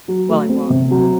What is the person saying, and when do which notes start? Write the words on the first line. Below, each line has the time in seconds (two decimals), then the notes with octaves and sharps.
while I walk.
0.08 F#3
0.29 A3
0.49 C4
0.70 C3
0.91 F#3